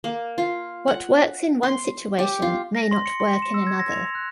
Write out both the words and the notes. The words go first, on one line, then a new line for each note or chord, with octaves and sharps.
What works in one situation may not work in another.
A#3
F4
F#5
C6
G4
F4
A#6
C6
C#7
C6
E7
E6
G#6
A#6
F7
F#6